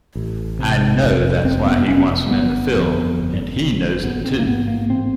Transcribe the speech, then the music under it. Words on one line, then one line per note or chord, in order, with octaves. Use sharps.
I know that's why he wasn't in the film, and he knows it too.
A1
C3
F1
F1 C4
B3
F1 C#4
G1 B3
F2
G1
G1
A1 B3
C4
A#3
G#2 B3
A#3
A1 C4